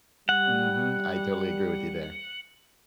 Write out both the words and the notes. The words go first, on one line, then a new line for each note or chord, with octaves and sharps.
Mhm, I totally agree with you there.
G3 F#5